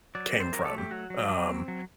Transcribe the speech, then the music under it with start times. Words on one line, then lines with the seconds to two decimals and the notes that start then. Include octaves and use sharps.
came from. Um.
0.15 F#3 D5
0.34 C4
0.40 C5
0.53 F#3 A#4
0.65 A4
0.72 A3
0.78 G4
0.91 F#3 F#4
1.10 F#3
1.29 F#3
1.49 C4
1.68 F#3